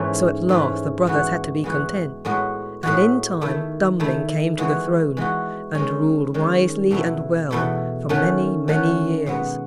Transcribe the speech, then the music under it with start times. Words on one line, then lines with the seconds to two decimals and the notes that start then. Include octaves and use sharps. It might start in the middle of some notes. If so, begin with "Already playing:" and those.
So at last the brothers had to be content, and in time Dummling came to the throne and ruled wisely and well for many, many years.
Already playing: G#2 E3 A3 C#4
0.49 G#2 E3 A3 C#4
1.07 E3 G#3 B3 F#4
1.64 E3 G#3 B3 F#4
2.25 A2 G#3 B3 F#4
2.83 A2 G#3 B3 F#4
3.41 D#3 A3 E4
4.00 D#3 A3 E4
4.58 E3 G#3 B3 F#4
5.17 E3 G#3 B3 F#4
5.75 D#3 G#3 C#4
6.34 D#3 G#3 C#4
6.91 E2 B2 A3 E4
7.51 E2 B2 A3 E4
8.09 D#3 A3 C#4 F#4
8.68 D#3 A3 C#4 F#4
9.26 B2 G#3 B3